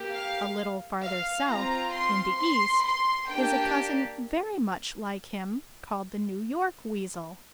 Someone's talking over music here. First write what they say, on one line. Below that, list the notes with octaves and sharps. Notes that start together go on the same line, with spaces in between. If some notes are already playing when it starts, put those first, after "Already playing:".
A little farther south in the East is a cousin very much like him called the New York Weasel.
Already playing: A#3 G4
F5
F5
C4 F4 A#5
C6
C6
C6
A#3 D4 G4 G5